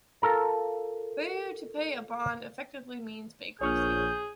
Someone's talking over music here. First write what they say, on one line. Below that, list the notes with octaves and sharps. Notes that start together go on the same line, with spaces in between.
Failure to pay a bond effectively means bankruptcy.
F4 A4 A#4 A#5
A#1 G#4 C#5 C#6 F6 G6